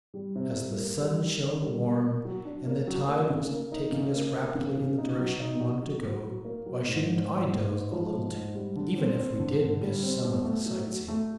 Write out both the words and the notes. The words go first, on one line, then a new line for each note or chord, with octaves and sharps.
As the sun shone warm and the tide was taking us rapidly in the direction we wanted to go, why shouldn't I doze a little too, even if we did miss some of the sightseeing?
G3
C3
G3
A#3
G3
D#3
D#3
G3
A#3
A#3
F#3
D4
A#3
F#3
A#3
C#3
A#3
D#4
C#3
A#3
A#3
C#3
C#3
D#4
F#3
D#4
F#4
F#3
F#3
F#3
A#3
F#3
G#2
G#2
G#2
G#2
G#2
F3
G#2
G#2
G3
D3
C4
C4
D3
D3
G3
C4
B2
A3
F#3
F#3
A3